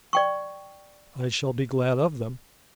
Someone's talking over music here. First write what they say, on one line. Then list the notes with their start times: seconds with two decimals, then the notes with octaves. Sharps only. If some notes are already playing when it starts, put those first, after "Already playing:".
I shall be glad of them.
0.13 D5 G5 C#6